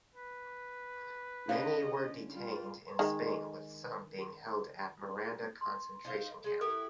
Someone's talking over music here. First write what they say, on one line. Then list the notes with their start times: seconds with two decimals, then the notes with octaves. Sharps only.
Many were detained in Spain with some being held at Miranda concentration camp.
0.15 B4
1.49 D3 C#4 D#5 F5
2.32 G3 F4
2.99 D#3 G#3
5.61 C6
6.05 D#4 C5 F5
6.44 G#3 D#4
6.61 E4 F#4 G4 A4